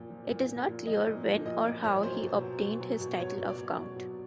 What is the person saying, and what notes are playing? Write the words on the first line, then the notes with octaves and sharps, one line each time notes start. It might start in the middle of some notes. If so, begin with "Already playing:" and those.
It is not clear when or how he obtained his title of count.
Already playing: A#2 F3
F3
A#2
F3
A#2
F3 D#5
A#2
F3
A#2 D#5
F3 D5
A#2 C#5
F#3 C5
B2
F#3
B2
F#3
B2
F#3 C#5
B2
D5
F#3
B2
F#3